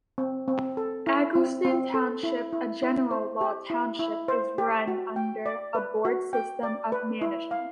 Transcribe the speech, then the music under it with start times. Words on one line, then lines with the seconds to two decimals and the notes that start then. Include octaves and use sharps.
Egelston Township, a general law township, is run under a board system of management.
0.18 C4
0.48 C4
0.77 A4
1.07 E4
1.35 C4
1.65 C4
1.94 A4
2.23 E4
2.53 E4
2.83 E4
3.11 C5
3.41 G4
3.70 E4
3.99 E4
4.28 C5
4.58 G4
4.88 F#4
5.16 G5
5.46 D5
5.75 B4
6.05 F#4
6.33 G5
6.63 D5
6.92 B4
7.21 E4
7.51 F5